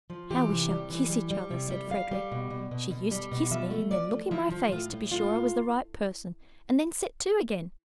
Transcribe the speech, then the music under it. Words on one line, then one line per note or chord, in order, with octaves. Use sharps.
How we shall kiss each other!' said Frederick. 'She used to kiss me, and then look in my face to be sure I was the right person, and then set to again!
F3
E3 G4
C3
G3
E3
G3
G3
C3
G3
G3 F5
G3
B2
B2
B2
B2
G3
B2
F3 E5
A3
F3 D5
A3
F3 E4
F3
A2 F4
A2
A2 F4